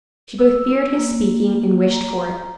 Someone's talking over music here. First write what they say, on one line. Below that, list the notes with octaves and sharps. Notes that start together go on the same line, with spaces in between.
She both feared his speaking and wished for it.
E6
A#3
A#5